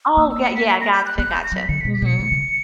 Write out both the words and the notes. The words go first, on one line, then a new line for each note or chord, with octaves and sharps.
Oh, 'kay, yeah, I gotcha, gotcha. Mhm.
A#3 E6
E6
C#7
B6
B6
A#6
G6
F#6
B3 F#6
G6
A#6
F#3 B6
D3 C#7
B6
B2
B6
B2 C#7
D3
C#3